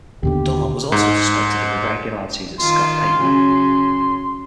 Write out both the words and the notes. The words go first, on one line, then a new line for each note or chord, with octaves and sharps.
Dunlap was also suspected of irregularities at Scott Paper.
D#2 B2 D3 G4
G#2
D#3 F4 C6
C#3 F#3